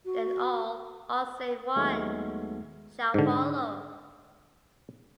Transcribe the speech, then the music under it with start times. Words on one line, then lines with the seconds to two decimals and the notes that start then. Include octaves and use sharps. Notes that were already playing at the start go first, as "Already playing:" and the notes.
Then all - all save one - shall follow!
0.05 F#4
1.76 D#2 F#3 G#3 A3 B3 D#4
3.14 G#2 D3